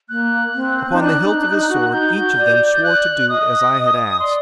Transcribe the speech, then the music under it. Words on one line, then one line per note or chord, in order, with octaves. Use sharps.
Upon the hilt of his sword each of them swore to do as I had asked.
A#3 F#6
C4
D#4
D4 F#6
D#4
D4
D#4
F#4
D#4 G6
F#4
D5
G6
F#6
D#5 D#6
D5 C6